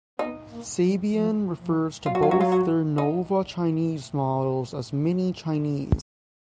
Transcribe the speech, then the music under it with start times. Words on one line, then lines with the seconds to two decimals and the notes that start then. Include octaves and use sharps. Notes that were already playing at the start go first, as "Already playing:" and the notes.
Sabian refers to both their nova Chinese models as mini Chinese.
0.19 B3 D#4
0.51 A#3
0.82 F#3
1.13 F3
1.59 F3
2.05 F#3 F4
2.15 F#4
2.23 F4
2.31 F#4
2.41 F4
2.52 F#4
2.98 D#4